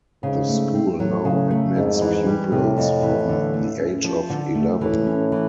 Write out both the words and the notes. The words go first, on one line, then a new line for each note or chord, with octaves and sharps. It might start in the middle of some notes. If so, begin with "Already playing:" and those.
The school now admits pupils from the age of eleven.
G#2 C#3
A3
C4
A2 F#3
C#3
A3
F2 G#2
E3
G3
A2 C3
F2
E3
D3
A3
C#4
F3
D3
A3
A2 E3
C#4
E3